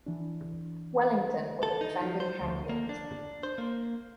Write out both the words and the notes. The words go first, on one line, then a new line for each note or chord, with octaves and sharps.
Wellington were the defending champions.
E3 D4
A4
D#4
F3
C5
D2
A#3
D4
C5
A#3